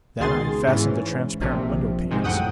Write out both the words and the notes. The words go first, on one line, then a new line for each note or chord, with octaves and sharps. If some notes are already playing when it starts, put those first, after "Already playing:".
Then I fastened the transparent window panes.
C#2 B2 D#3 G#4 C6 A6
G#2 E3 C#4
A#1 C3 F3
G#2 C3 D#3 G#3
F#2 A2 F#5 G5 D#6 D#7